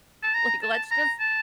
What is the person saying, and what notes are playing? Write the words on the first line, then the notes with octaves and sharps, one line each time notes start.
like, let's just
A5
A#5
A5
A#5
A5